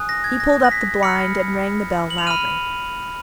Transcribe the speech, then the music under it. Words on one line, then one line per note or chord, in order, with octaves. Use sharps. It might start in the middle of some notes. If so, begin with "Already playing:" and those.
He pulled up the blind and rang the bell loudly.
Already playing: G#5 D#6 F#6
A#6
G#6
A#6
A#6
B6
B5 F6 C#7
F#7
F7
B5 F6 D#7